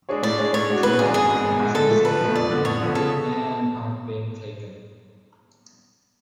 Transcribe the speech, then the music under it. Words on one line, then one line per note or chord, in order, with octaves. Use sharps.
Corrective measures have been and are being taken.
G#3 D4 G#4 C#5
A2 D5
G#3 D4 G#4 C#5
A2 C#5
G#3 D4 F#4
A2 B4
G#3 D4 F#4 G#4
G#1 G#4
G#2 G#3
G#1
G#2 G#3
D3 A4
F3 A3
D3 B4
F3 A3
F2 D5
D3 F3 B3
F2 C#5
D3 F3 B3
C#3 A4